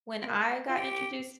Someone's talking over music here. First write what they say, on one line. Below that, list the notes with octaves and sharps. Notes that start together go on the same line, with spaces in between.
when I got introduced
C4
A#3
F4
G4